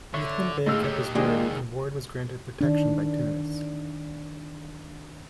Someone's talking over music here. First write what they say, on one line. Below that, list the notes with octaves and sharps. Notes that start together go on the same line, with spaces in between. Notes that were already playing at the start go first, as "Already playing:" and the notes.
Uthman Bey kept his word and Ward was granted protection by Tunis.
D3 C#5 E5 C#6
A2 D#3 G#3 D#5 F5 E6
D#4 G4 A4 C#5
D#3 G#3 A#3 D4 F4 G#4 D#5
D#3 D4